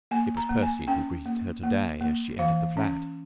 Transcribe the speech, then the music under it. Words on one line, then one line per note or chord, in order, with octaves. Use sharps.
It was Percy who greeted her to-day as she entered the flat.
A#3 G#5
A#5
A#3
G#5
C#4 G5
A#3
A#3
A#3
E3 F5
C#4